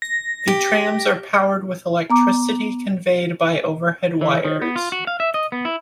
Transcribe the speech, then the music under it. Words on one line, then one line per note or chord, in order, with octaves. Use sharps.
The trams are powered with electricity conveyed by overhead wires.
A#6
G4
B3 A#5 D6
E3
D#3
B3
F4
F#4
F5
E5
D#5
B3
E4